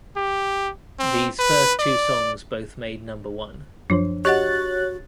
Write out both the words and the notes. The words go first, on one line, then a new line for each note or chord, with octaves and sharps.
These first two songs both made number one.
G4
C4
B4
D5
F#2 F3 D4 C5 C#5
F#4 G4 C#5 D#5 F#5 F#6 A6